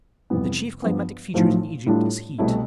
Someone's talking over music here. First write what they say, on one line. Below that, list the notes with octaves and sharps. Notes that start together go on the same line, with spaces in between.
The chief climatic feature in Egypt is heat.
F2 C3 E3 G3 B3
G2 F3 B3
B1 A2 F3 A3
A2 G3 D4 F4
C2 B2 A3 E4